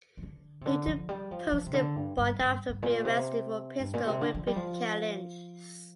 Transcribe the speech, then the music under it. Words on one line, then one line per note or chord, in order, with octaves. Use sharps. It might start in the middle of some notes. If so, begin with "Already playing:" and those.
Newton posted bond after being arrested for pistol-whipping Callins.
F3
D3
C3
D3
F3
G3
F3
D3
F3
C3
D3
G2
G2
G2
G2
A#2
C3
G2
A#2
C3
D3
F3
G3
F3